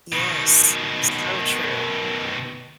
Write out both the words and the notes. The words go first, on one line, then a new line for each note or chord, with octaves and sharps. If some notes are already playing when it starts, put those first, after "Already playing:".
Yes, so true.
B2 D#3